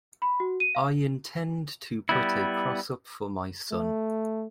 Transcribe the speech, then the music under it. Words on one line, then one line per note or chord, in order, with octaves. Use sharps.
I intend to put a cross up for my son.
B5
F#4
D#7
F5
G3 B3 E4
A3